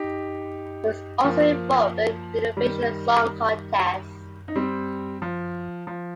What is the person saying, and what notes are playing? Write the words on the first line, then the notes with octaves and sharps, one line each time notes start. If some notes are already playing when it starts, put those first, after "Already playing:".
He was also involved in the Eurovision Song Contest.
Already playing: D#4 G4
F3 A#3
D#3 G3
D#4
G3 C4
F3
F3